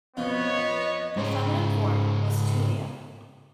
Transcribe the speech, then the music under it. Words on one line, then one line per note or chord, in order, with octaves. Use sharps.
The feminine form was "Tullia".
F2 B2 F3 B3 C#5 D#5
F2
G#2 C#3